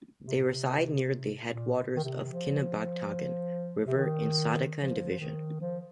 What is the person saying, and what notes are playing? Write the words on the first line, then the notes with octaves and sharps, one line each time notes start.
They reside near the headwaters of Kinabatangan River, in Sandakan Division.
C3
A#2
C3
A#2
D#3
C3
F3
C3
D#3
F3
F3
D#3
F3